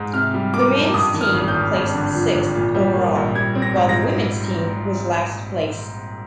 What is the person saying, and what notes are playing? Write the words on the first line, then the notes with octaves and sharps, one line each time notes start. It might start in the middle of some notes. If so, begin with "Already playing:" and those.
The men's team placed sixth overall, while the women's team was last place.
Already playing: G#2
C3 F6
G3
A#3 D6
F2
G2 D#6
D#3
F6
G#1
G6
G#1
G2
D3
F3
G#1
A#2
G3
A#3
A#1
G3 G#6
C4
A#6
G#2
A#6